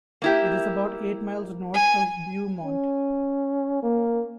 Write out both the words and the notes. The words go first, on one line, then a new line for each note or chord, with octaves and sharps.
It is about eight miles north of Beaumont.
A#3 E4 G4
G#5
C#4
A#3